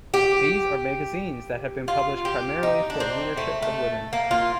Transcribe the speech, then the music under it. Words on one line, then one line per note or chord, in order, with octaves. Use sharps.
These are magazines that have been published primarily for a readership of women.
G4
F4
G4
D#4
D4
C4
A3
A3
A#3
F4